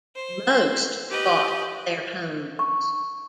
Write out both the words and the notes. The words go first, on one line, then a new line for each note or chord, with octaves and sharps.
Most bought their homes.
C5
G4 B4 D#5
C#6